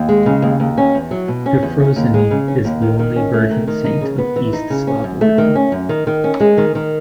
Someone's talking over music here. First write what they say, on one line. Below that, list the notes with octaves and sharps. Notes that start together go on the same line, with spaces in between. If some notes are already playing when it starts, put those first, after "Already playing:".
Euphrosyne is the only virgin saint of East Slav origin.
Already playing: D#2
G#3
C#3
D#2
D#2
C#4
E2
F#3
B2
C#4
E2
C#4
D#2
G#3
C#3
C#4
D#2
D#3
D#3
C#4
A3
D#3
D#3
D#4
C#3
B3
E3
D#4
C#3
C#4
F#2
A3
D#3
C#4
F#2
D#3
D#3
C#4
G#3
D#3
D#3